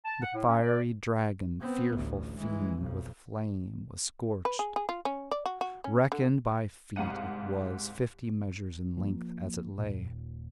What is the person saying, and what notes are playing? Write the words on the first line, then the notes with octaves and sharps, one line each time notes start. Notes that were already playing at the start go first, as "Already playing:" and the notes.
The fiery dragon, fearful fiend, with flame was scorched. Reckoned by feet, it was fifty measures in length as it lay.
A5
F#5
A2
C#4
D5
B3 C4
A1 D2
E3 G#3
B1 F2
B4
G#4
G#4
F4
C#4
D5
F#4
F#4
C#4
D3
C2 G#2 F5 F#5 D#7
F3 A#3
D#1 A#2